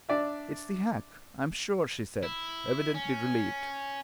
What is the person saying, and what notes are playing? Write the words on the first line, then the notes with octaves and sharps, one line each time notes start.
"It's the hack, I am sure," she said, evidently relieved.
D4 D5 E5
E4
C#4